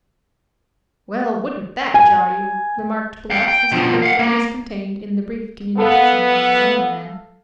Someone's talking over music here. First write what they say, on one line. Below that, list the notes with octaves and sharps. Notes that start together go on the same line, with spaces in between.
"Well, wouldn't that jar you?" remarked Bluff, as he heard what was contained in the brief communication from the lumberman.
G#5
F5 G5
G5
B2 F3
F5 F#5
A#3
B3 A4 F5